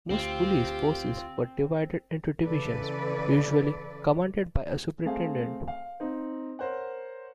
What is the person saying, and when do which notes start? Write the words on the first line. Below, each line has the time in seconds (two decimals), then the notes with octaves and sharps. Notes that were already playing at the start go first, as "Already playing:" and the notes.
Most police forces were divided into divisions, usually commanded by a Superintendent.
0.10 D2 C4 F4 G4
2.45 C#3 E3 A4 B4 D5
5.05 A3 C4 G#4 F5
5.68 F5
6.00 C4 D#4
6.59 A#4 C5 C#5 F#5